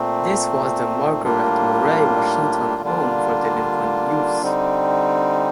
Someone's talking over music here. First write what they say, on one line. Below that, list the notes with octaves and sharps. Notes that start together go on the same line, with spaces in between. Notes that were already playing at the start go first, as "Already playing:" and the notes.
This was the Margaret Murray Washington Home for Delinquent Youths.
Already playing: A#2 A3 C4
A2 G3 A#3 D4 F4
D3 G3 A#3 D4 F4
D3 G3 C4 D#4